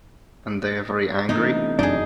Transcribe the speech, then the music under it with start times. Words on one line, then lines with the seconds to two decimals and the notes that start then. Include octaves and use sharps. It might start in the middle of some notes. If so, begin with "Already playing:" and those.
And they are very angry?
1.29 C3 E3 A3 B3 D4 D#4
1.79 F1 F#2 F#3 D4 D#4 G#4